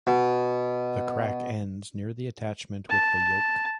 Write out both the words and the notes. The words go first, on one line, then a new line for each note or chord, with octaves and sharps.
The crack ends near the attachment with the yoke.
B2
A5